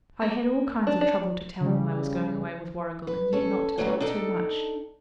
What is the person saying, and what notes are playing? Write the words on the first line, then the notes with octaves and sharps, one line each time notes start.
'I had all kinds of trouble to tell them I was going away with Warrigal, and yet not to tell too much.
A#3
D4
D4
C#3 G3
B4
C#4 A4
E3 F#3 G3 A3 B3 C#4
D4 D#4 A4 G5